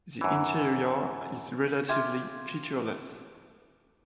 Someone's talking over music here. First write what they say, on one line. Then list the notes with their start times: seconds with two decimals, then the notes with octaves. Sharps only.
The interior is relatively featureless.
0.21 F#2 E3
1.88 F4 G4 E5 G5 G#5